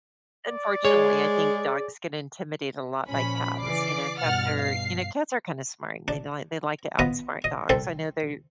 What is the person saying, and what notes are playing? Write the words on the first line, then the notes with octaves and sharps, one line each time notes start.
unfortunately, I think dogs get intimidated a lot by cats. You know, cats are you know, cats are kinda smart, they know they like to outsmart dogs, I know they're
D5
G#3 G#4 C#5
A#2 F3 C#4 B5
C#3 E3 D5 D6 C7
G2 B2 F#5 F6 A6
F5 C7
D4
B3 F4 B4 D#5
D#5
C2 C4 A4 C6